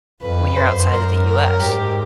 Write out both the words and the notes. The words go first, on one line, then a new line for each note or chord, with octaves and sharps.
when you're outside of the US.
F2 B4
F#2 C5
A#4
A#4
G#2 G4